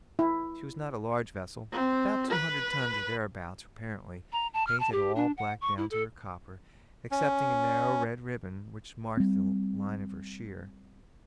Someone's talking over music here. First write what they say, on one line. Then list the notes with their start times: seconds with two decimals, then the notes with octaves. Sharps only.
She was not a large vessel; about two hundred tons or thereabouts, apparently; painted all black down to her copper, excepting a narrow red ribbon which marked the line of her sheer.
0.19 E4
1.72 C4
2.31 B4
4.32 A#5
4.53 A5
4.67 F6
4.80 A5
4.92 G4
5.16 D4
5.37 F#5
5.61 C#6
5.77 E4
5.91 A4
7.11 C#4
9.17 G3 C4